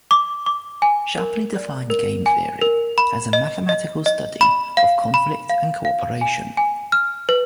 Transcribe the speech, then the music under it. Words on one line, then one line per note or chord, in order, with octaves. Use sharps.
Shapley defined game theory as a mathematical study of conflict and cooperation.
D6
D6
G#5
A#4
D5
A#4
G#5
A#4
B5
D#5
D#5
D#5
B5
F5
B5
F5
F5
G#5
G#5
F6
B4